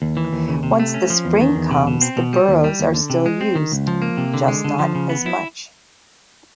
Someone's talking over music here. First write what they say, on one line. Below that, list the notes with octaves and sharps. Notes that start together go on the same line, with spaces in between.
Once the spring comes the burrows are still used, just not as much.
D#2
E3
D#2
C#3
C3
A3
C#4
F3
E2
D#3
E2
C3
B2
C4
B2
G3
D#2
G3
D#2
D3
C3
G#3
C4
D#3
C#2
F3
A#3
C3
D3
G#3
D3
F3
C#3
B3
E4